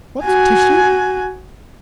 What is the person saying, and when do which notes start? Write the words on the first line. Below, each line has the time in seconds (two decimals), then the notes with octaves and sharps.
"What's tissue?"
0.24 F#4 G#5